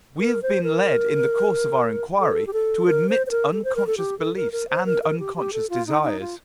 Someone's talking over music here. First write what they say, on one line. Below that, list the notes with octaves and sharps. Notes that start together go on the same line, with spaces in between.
We have been led, in the course of our inquiry, to admit unconscious beliefs and unconscious desires.
A#4
C5
A#4
A4
G4
A4
A#4
C5
C5
A#4
A4
C5
A#4
A4
G4
A4
A#4
A#4
C5
A#4
A#4
G4
G4
A4
F4
D#4
D#4
F4